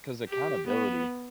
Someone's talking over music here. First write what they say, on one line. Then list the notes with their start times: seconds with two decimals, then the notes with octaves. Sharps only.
'cause accountability
0.29 G4
0.67 B3